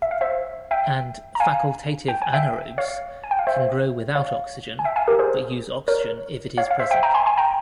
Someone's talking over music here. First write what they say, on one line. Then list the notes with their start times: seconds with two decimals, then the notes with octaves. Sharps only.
And facultative anaerobes can grow without oxygen but use oxygen if it is present.
0.02 E5
0.11 F5
0.21 C5 E5
0.71 E5 G5
1.35 A#5
1.40 F5 G#5
2.08 G5
2.22 G#5
2.33 E5 G5
2.78 C#5 F5
3.24 G#5
3.31 G5
3.39 F5
3.47 C5 E5
4.15 C#5 F5
4.79 G#5
4.84 E5 G5
4.96 F5 G#5
5.08 G4 A#4
5.19 G#4 C5
5.88 A#4 C#5
6.58 C#5 F5
6.71 F5
6.79 C5 E5
6.91 E5 G5
7.03 G5 A#5
7.14 G#5 C6
7.26 G#5 C6
7.37 G5 A#5